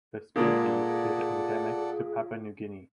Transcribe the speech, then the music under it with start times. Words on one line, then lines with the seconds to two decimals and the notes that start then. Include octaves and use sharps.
The species is endemic to Papua New Guinea.
0.36 A#2 G#3 F4 G#4 A4 D5 F#5